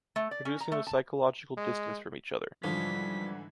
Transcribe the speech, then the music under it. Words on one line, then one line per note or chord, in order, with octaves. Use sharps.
Reducing the psychological distance from each other.
A3
D5
C#4
A#5
A3
A5
G#3
G#2 D3 E3 F3 G3 B6